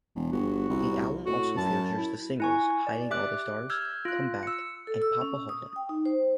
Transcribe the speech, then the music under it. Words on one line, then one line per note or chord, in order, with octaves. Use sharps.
The album also features the singles "Hiding All the Stars", "Come Back" and "Poppiholla".
E1
G1 F#4
C2
A2 F#4
F#2 A5
E4
E4 G#5 C#6
D5
G4 E5 D6 F#6
E6 F6 G6 G#6
F4 F#6
E6 C#7
A4
E6
C#4
D#6
G5
D#4
C5